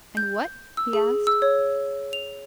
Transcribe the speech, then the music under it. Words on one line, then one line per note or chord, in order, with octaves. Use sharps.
"And what?" he asked.
G6
E6
G#4
E6
C#5
F7